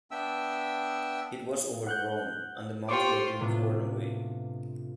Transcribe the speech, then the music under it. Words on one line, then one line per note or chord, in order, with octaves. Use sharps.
It was overgrown and the mounds were being worn away.
B3 D4 E5 G5 E6
F#5 F#6 G6
F4 G4 C5 C#6 D6
A2 C3 B3 D4 F4